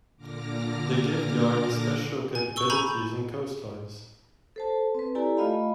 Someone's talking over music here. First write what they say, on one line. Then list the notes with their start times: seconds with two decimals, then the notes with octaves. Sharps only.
They give the army special capabilities on coastlines.
0.16 A#2 D3 D6 F6 A#6
2.35 G#5
2.56 C#6 E6 G7
2.70 G#5 A#5 B5 C#6 G6
4.56 A4 C5 A5
4.95 C4 B4
5.15 E4 G4 A4 D5 G#5 A#5
5.37 A3 F4 D#5 F5 B5